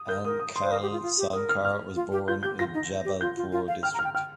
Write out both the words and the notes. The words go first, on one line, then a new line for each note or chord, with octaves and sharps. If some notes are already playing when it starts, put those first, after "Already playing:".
Anchal Sonkar was born in Jabalpur district.
Already playing: D#6
A#4 G6
A#4 D#6
D#6
C6
C5
A#4 D#6
G4
F4
F4
G4
A#4 D#6
F6
F6
F4
G4
F4 G6
G4 G6
F4 A#6
D#4
G4
F4 G6
F4
F4
F5
G5 F6
A#5
F6
G5
G5 F6